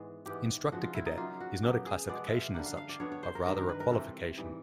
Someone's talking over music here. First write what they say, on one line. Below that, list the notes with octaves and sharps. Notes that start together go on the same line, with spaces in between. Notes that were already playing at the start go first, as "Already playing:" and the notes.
Instructor Cadet is not a classification as such, but rather a qualification.
Already playing: G#2 E3 G#3 B3
G#2 E3 G#3 B3 G4
C#3 F3 G#3 F#4
F4
E4
D#4
C#3 F#3 A#3 F4
F#4
C#3 F#3 B3 G4
G#4
B2 G#3 B3 D5
E5 F5
D3 G3 A#3 F#5
F5
F5
D5
D3 G3 B3 C#5
C#5
C5
A#4
G2 D#3 G3 A#4
A#4
B4
A#4
C3 E3 A3 C4 A4
G#2 E3 G3